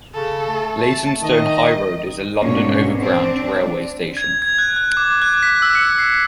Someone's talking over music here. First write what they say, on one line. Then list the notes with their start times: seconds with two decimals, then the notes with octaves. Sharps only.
Leytonstone High Road is a London Overground railway station.
0.14 C#3 A4
0.48 A3
0.81 A5
1.22 D#3 D#5
2.40 G#2 B2 A#3 C#4 D4 C#5
2.97 C4 D4
4.17 G#6
4.42 G#6
4.58 F#6
4.76 F#6
4.97 D6
5.22 F#6
5.43 B6
5.62 E6
5.75 C#7
5.99 C7